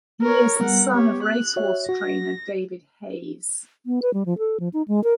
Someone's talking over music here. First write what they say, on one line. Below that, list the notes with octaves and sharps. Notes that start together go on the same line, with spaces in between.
He is the son of racehorse trainer David Hayes.
A#4 C#5
G3 B3 A#4 F#5
B3 G4 C#5
F#6
F#4 C#5 E5
F#4 A#6
B3
B4
G3
F3
A4
F3
D#4
G#3
A#4